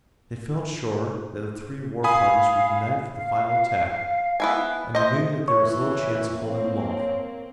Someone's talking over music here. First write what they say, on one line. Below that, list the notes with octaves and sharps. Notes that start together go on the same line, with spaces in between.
They felt sure that the three war-parties would unite for the final attack, and they knew that there was little chance of holding them off.
F5 G#5 B5 D#6
F5
B3 E4 G#5
C5 D#5 E5 D#6
E3 C#5
A#3 C4